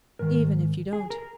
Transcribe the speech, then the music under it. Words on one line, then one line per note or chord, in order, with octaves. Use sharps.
Even if you don't.'
G#2 D#3 A#4
G#4
A#4